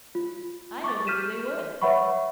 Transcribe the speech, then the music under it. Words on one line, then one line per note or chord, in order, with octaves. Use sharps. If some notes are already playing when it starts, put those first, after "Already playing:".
'I don't believe they would.
F4
C#6 D6 A6
F6 G6 B6 D#7 E7
B4 C#5 E5 F#5 B5 C#6